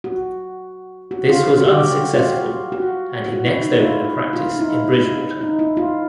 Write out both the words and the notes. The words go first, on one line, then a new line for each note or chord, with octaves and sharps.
This was unsuccessful, and he next opened a practice in Bridgewater.
F#4
F#4
F4
F#4
F#4
G4
F4
F#4
F4
F#4
F#4
E4
D#4
E4
F4
F4
E4
D#4
E4
D#4
E4
F4